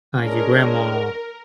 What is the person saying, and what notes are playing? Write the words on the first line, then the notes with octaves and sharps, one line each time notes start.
Uh, your grandma
G#3 C#4 D4 A#4